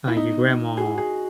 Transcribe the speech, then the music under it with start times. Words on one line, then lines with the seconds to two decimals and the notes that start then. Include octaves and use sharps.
Uh, your grandma
0.08 E4
0.13 A#3
0.17 B3 D#4
0.77 F#4 G#4
0.86 E4
0.95 F#4 G#4